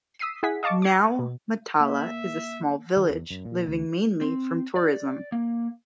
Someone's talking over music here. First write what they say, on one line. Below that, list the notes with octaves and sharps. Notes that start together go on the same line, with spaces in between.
Now Matala is a small village living mainly from tourism.
D#6 E6 B6 C7 D#7
E4 G#4 F#5 G#5 B6
D#5 F5 A5 C#6 D6
D6 G#6 A#6
B2
A#3 E5
D#3
E2
F#2
A#2
D2
C4
D5
A#3